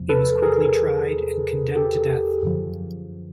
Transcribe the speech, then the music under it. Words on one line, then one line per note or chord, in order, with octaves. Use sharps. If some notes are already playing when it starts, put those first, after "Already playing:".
He was quickly tried and condemned to death.
Already playing: E2 C3 F3
A4 B4
G#4 A#4
G4 A4
F#2 D3 F3